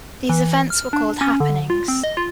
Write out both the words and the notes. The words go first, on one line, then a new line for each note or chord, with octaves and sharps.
These events were called "happenings."...
E3
F6
D4
C#4
D3
F4
C4
D#5
F4